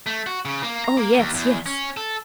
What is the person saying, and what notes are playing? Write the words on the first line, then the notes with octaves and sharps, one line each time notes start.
"Oh, yes, yes!"
A3
F#4
C#3
A#3
A#5
A#3
D#2
E2
C#4
A4